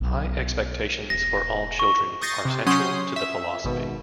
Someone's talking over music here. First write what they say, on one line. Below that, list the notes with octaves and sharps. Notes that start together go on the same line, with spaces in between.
High expectations for all children are central to the philosophy.
B1 B3
E1 B3 A#6
C#6
C#6 D#6 G6 A6 A#6 C7
C3
F#3 C#4 C6 D#6 G6
E5
G#1 B2